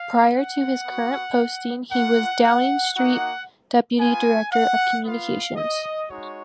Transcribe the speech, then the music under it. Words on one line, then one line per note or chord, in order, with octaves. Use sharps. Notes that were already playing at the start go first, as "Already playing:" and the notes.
Prior to his current posting he was Downing Street deputy director of communications.
Already playing: F5
F#5
B3 F#4
A#3 F4 F#5
F#5
A#3 D#4 F#4 F#5
B3 F4 G#5
F#5
B3 F4 F5
D#5
G#3 D#4 F#4 C#5